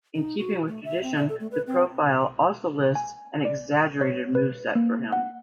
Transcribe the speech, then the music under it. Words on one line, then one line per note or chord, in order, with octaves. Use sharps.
In keeping with tradition, the profile also lists an exaggerated moveset for him.
D#4
F#4
A3
E5
C4
D5
A4
A3
B4
C4
G#5
D5
C#5
B4
A#3
F#5